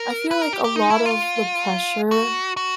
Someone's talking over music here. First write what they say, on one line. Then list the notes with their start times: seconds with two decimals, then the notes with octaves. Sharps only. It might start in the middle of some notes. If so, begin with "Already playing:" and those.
I feel like a lot of the pressure,
Already playing: A#4
0.31 B4
0.42 A#4
0.53 G4
0.64 G4
0.76 D#4
0.90 E4
1.06 F4
2.11 F#4
2.57 F#4